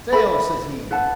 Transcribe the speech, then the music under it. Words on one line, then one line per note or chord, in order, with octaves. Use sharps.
"Sail!" says he.
A4 E5 B5
E4 B4 F#5 A5